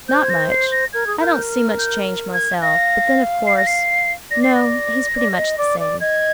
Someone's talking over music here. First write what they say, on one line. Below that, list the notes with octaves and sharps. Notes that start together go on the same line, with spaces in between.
'Not much; I don't see much change, myself, but then of course-- No, he's pretty much the same.'
C5 G6
G#6
A#6
C7
A#6
A#4 G#6
G#4
A#4 G6
F6
G6
G#6
F5 A#6
C7
A#6
C7
D5 A#6
C7
A#6
D5
D5
D#5
D5
D5
D#5 G#6